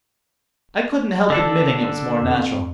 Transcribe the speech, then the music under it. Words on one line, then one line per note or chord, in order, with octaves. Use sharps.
I couldn't help admitting it was more natural.
D3 D4 A4
F2